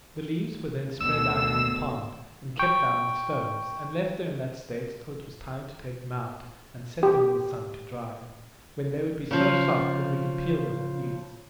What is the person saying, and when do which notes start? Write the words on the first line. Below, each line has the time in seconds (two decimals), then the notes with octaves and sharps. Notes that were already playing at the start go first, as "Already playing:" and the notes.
The leaves were then spread out in the pond, and kept down with stones, and left there in that state till it was time to take them out and set them in the sun to dry, when they would be so soft that we could peel them with ease.
1.01 D2 B2 D#3 E6
2.59 G5 C#6
7.03 G4
9.31 C#3 F3